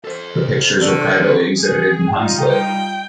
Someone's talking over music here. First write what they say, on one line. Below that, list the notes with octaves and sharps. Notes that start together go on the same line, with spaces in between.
The pictures were privately exhibited in Hunslet.
A4 C5
D3
G#4
G3 D#4 F4
G5